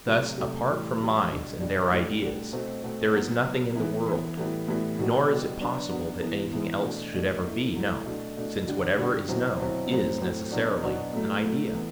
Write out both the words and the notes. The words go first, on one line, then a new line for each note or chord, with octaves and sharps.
Thus apart from minds and their ideas there is nothing in the world, nor is it possible that anything else should ever be known, since whatever is known is necessarily an idea.
C3 F#3 A3
C3 F#3 A3
A2 E3 G3
A2 E3 G3
B2 G3 D4
B2 G3 D4
A2 G3 D4 F#4
A2 G3 D4 F#4
B2 A3 C4 F#4
B2 A3 C4 F#4
F#3 B3 F#4
F#3 B3 F#4
E3 B3 E4
E3 B3 E4
A2 E3 G3 B3 E4
A2 E3 G3 B3 E4
B2 G3 B3 F#4
B2 G3 B3 F#4
F#3 B3 D4 F#4
F#3 B3 D4 F#4
E3 B3 E4
E3 B3 E4
B2 A3 D4 F#4
B2 A3 D4 F#4
F#3 A3 E4
F#3 A3 E4
B2 A3 D4
B2 A3 D4
D3 G3 D4 F#4
D3 G3 D4 F#4
B2 F#3 C4 E4
B2 F#3 C4 E4
A2 F#3 C4 F#4
A2 F#3 C4 F#4
B2 F#3 B3 D4 F#4
B2 F#3 B3 D4 F#4
A2 F#3 A3
A2 F#3 A3
E3 B3